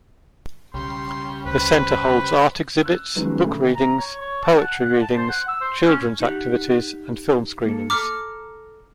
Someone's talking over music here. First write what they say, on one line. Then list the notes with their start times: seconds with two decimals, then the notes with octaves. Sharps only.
The centre holds art exhibits, book readings, poetry readings, children's activities and film screenings.
0.74 B1 C#3 G3 C6
1.46 D2 B4 C5
2.83 E6 F#6
3.15 D#3 F3 F#3 G#3 B3 C#4
3.44 D2
3.75 A#5
3.98 C#5
4.21 C#5
4.43 A5
4.62 F#5
4.79 F#5
5.02 A5
5.17 C5
5.30 F#5
5.48 E6
5.61 C5
5.86 C#4
6.20 D#4 G4 F#5
7.66 A#3 A4
7.90 A4 A#5 D6 F6